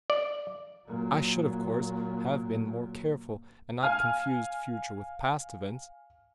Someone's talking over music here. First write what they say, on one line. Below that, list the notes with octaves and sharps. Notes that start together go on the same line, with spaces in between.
I should, of course, have been more careful, and not confused future with past events.
D5
A#2 F#3
F5 G#5 F6